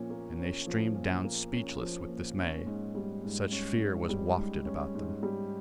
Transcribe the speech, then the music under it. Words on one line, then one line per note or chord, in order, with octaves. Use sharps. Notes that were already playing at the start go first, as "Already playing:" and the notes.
And they streamed down speechless with dismay; such fear was wafted about them.
Already playing: A#2 F3 C#4
A#3
C#4
F3
A#2
A#3
C#4
F3
A#2
C#4
G#2
G3
G#2
C#4
G#2
G3
G#2
C#4
G#2
G3